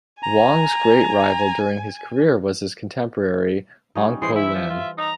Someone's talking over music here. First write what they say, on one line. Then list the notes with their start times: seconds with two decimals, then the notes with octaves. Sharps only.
Wong's great rival during his career was his contemporary Ong Poh Lim.
0.23 G#5 A#5
3.95 G3 C#4 D#4
4.22 E3 G#3 C5 C7
4.36 E4 E5
4.55 F3
4.70 F4
4.98 D#4 A#5